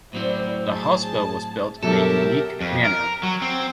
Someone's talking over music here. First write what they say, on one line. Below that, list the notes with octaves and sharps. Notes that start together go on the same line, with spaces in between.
The hospital was built in a unique manner.
A2 F#3 C4 E4 C5 D5
G#4 A5
B2 F#3 G4 A4 A#4 E5
F2
A#4
F#3
C4